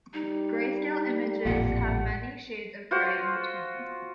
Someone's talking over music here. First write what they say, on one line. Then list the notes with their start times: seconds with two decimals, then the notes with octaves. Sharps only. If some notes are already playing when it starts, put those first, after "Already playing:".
Grayscale images have many shades of gray in between.
0.13 G3 D#4
1.45 A1 F2 A#2 A#3 F#5
2.91 F4 F#4 C5